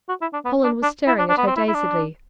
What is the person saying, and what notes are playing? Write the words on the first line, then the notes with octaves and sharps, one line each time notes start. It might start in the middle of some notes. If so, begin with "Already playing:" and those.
Colin was staring at her dazedly.
F#4
E4
D4
B3
D4
D4
E4
D4
D4
B3
C4
E4
E4
D4